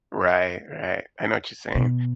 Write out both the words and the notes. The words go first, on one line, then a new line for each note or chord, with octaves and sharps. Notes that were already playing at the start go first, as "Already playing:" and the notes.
Right, right, I know what you're saying.
B2